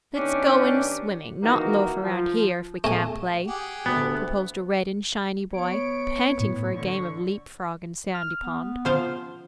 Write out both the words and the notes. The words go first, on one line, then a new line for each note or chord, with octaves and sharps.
"Let's go in swimming, not loaf round here, if we can't play," proposed a red and shiny boy, panting for a game of leap-frog in Sandy pond.
D#3 B3 C#4 D4 G4 D5
D#3 E3 A#3 D#4 F#4 A#4
F3
A3 G#5
G4 G#4 F#5
D2 B3
B3 C#5 D7
A2
D3 C#6
F6
B3
F3 C5 F5